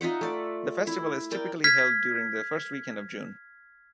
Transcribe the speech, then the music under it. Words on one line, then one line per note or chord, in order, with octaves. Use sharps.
The festival is typically held during the first weekend of June.
D#4 F4 E5 F#5
A3 D5
E4
A#4 D5 G5
F6 G#6 B6